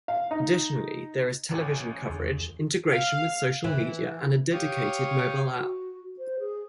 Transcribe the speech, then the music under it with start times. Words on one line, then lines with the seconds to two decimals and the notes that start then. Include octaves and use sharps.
Additionally there is television coverage, integration with social media, and a dedicated mobile app.
0.08 F5
0.31 D#4
1.51 A1 G#5
2.09 E2 D3 G#4
2.91 F5
3.64 E3
4.53 G4 C#5 F5 G5 C#6 D#6
5.55 F#4
6.18 C5
6.39 G#4